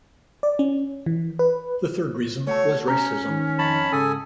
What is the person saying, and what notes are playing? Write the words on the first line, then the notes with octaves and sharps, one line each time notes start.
The third reason was racism.
D5
C#4
E3
B4
A3 F#4 A4 C#5
C#4 A#5
D#3
F2 D#4 C#5 A5 B5
C#2 G#2 C#3 A4 G#5 D#6